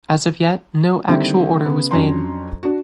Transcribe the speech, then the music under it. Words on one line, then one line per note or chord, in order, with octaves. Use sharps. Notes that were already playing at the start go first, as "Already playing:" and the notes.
As of yet no actual order was made.
D3 D#3 G3 A#3 C4 E4
C#3 B3
F2 F#3 C#4 D4 A#5 C6
D4 F#4